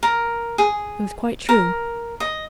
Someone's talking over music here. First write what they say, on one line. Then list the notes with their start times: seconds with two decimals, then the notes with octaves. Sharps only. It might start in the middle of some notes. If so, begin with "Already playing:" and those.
It was quite true.
0.03 A#4
0.58 G#4
1.49 A#4
2.20 D#5